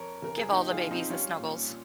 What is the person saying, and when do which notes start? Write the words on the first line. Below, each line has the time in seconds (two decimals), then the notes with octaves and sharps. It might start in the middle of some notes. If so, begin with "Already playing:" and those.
Give all the babies the snuggles.
Already playing: F2 A#4 C#5
0.22 C#3 A#4
0.38 G#4
0.52 A#2 D#4 G4
0.71 F4 G#4
0.81 F3
0.91 C4 D#4
1.10 G3 C#4 F4
1.39 A#2
1.68 A#2